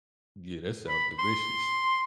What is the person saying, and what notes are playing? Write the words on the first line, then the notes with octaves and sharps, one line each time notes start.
Yeah, that sounds delicious
B5
C6